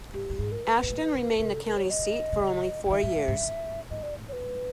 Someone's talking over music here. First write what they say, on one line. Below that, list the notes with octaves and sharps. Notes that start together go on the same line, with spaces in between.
Ashton remained the county seat for only four years.
G2 G4
G2
G#2 G#4
A#4
B4
B4
A#2
A2
B2
C3 A#4
A4
A#4
C#5
D#5
C3
C#3
D3
D#3 E5
A2
G#2
G#2
F#2
G2
G#2 D#5
D5
A2
C#5
B4
G#2